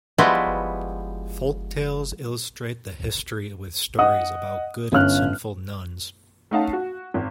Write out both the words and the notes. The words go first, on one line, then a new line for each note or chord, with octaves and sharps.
Folk tales illustrate the history with stories about good and sinful nuns.
F3 G3 G#3 B3 E4 F#4
D#5 F#5 D#6
G1 C#4 F5 F6 F#6
A3 C#4 D#4 F5 F#5 A5
F#4
G#1